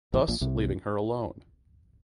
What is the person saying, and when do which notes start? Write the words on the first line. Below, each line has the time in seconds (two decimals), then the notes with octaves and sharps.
Thus leaving her alone.
0.14 A1 A2
0.28 A#1 A#2
0.41 C2 C3